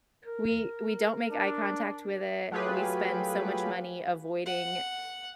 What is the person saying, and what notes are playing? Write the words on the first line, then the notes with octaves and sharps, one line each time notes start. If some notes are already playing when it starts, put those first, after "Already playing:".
we we don't make eye contact with it. We spend so much money avoiding
A#4
D4
F#3 A3 F4 G4 G#4 B4
F#5